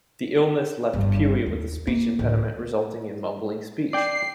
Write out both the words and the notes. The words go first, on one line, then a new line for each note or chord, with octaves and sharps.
The illness left Puey with a speech impediment resulting in mumbling speech.
G1 G2
D#2
A#3
D2 A2
D5 G5 C7